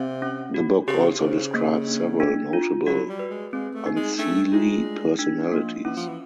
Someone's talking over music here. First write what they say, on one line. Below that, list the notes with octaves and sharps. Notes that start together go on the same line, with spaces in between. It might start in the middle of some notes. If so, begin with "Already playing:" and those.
The book also describes several notable Unseelie personalities.
Already playing: C3 C4
C#4
F#4
C#3 G4
C#3 C5
A#3
D4
D4
F4
F#3 F#4
G3
B4
G#3
G#3 C4
A3
D#4
G#3
A3 D4
G#3 F4
A3
D4
F3 A#3
E3 C#4
F3
E3